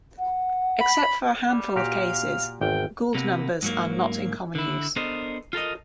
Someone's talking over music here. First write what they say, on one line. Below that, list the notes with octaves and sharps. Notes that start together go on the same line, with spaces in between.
Except for a handful of cases, Gould numbers are not in common use.
F#5
B5
G3
A#2 F#4 G4 F5
G#1 E2 G5
C3 A#3 B3
G#2 F#3 A#3
D3 E4
B3 D4 A4 A#4 C5 D#5
F4 A4 A#4 D#5